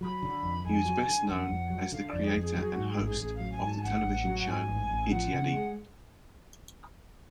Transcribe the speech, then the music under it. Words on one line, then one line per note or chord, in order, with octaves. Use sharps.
He is best known as the creator and host of the television show "Ittyadi".
F#3 B5
D3
F2
F2 G#5
F#3
D3
F2 F#5
F2
F#3
D3 F5
D5
F2
G#4
F2
G#4
F#3 G#4
G#2 F#4
G#4
A1 G#4
A1 G#4
F#3 F5
G#5
G#2
A5
G#5
A1 F#5
A1
F#3
F#5
G#2 G#5
A1
A1
F3 F#5
C#3
G#3